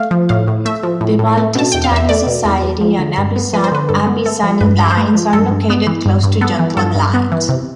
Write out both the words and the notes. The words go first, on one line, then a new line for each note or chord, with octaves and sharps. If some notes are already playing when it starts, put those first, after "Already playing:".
The Baltistani Society and Abbsynia Lines are located close to Jutland Lines.
Already playing: A3 F5
F3
A2 F5
A2
A3 E5
F3
A2
A2
A3
B2 A5
E2 G5
F5
E2 E5
A3 D5
B2
E2
E2
F3
D3
G2
B3
F3 B4
C5
D3 B4
G2 A4
B3
A3 A4
F3
G2 B4
G2
C5
A3 B4
F3
G2 A4
G2
B3
E3
G2
G2
B3 A4
E3
G2 A4
G2
B3
E3
C3